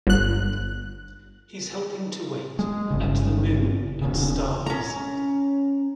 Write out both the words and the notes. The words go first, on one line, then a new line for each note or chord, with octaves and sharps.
He’s helping to wait at the Moon and Stars.
G1 F#6
G#3
G1 C#3
E1 C#3
C#4 A#5